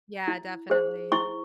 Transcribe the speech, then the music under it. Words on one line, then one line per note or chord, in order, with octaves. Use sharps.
Yeah, definitely.
E4
G#4 C5
E4 C#6